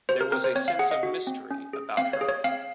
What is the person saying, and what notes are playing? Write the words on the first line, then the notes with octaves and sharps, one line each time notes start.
There was a sense of mystery about her.
F#4 C5
A#4
C4 A#4
C5
C4 C#5
F5
G#4 F#5
D#5
F#4
C4
C#4
G#4
C4 F5
C#5
G#4
C#5
C4 F5